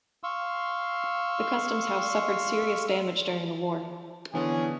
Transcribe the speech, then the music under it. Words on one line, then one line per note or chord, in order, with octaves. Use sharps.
The Customs House suffered serious damage during the war.
F5 C6 C#6 E6
D3 E3 B3 C#4 D4 G#4